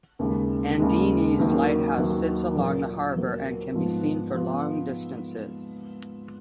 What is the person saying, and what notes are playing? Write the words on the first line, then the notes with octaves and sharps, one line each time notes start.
Andenes Lighthouse sits along the harbor and can be seen for long distances.
D#2 C#3 G#3
D#2 C#3 G#3
D#2 D#3 F#3 A#3
D#2 D#3 F#3 A#3
A#2 F#3 A#3
A#2 F#3 A#3
G#2 F3 B3 F4
F3 B3 F4